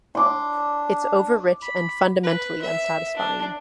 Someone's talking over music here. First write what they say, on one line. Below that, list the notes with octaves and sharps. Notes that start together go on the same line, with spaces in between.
It's overrich and fundamentally unsatisfying...
D4 C6 D6
B5
B4
E5
D4